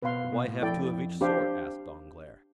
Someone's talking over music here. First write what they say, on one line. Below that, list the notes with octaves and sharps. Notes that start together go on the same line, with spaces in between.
"But why have two of each sort?" asked Danglars.
B2 B4 F5 C6
B2
A2
F2 E4 A4 D5 G5
D4 G4 C5 F5